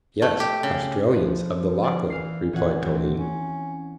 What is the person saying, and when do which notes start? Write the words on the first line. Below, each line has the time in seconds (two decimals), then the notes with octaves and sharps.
"Yes, Australians of the Lachlan," replied Toline.
0.22 A3
0.40 G4
0.63 C#3
1.13 F3 B4
1.83 F4 D5
2.10 E3 F5 C7
2.53 A#2 E3 C#5 F#5
2.82 E3 C4
3.17 C#4